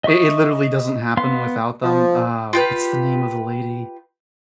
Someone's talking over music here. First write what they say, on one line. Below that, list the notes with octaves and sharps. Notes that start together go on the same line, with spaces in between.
It it literally doesn't happen without them, uh, what's the name of the lady?
D#5 E5 C#6 D#6
B3 F5 C6
F3
F4 G4 B4